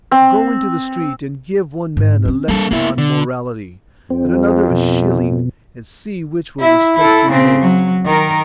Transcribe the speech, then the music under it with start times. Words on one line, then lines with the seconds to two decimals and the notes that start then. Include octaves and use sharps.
Go into the street, and give one man a lecture on morality, and another a shilling, and see which will respect you most.
0.11 C4
1.97 G#2
2.25 C4 C#4
2.48 G3 A#3 D4 A4
2.71 A#3 B3 E4
2.98 D3
4.10 F2 C4
4.70 B2
6.60 E4 E5
6.96 E4 A4
7.30 C#3 C4
7.61 F#3
8.06 D#3 A#4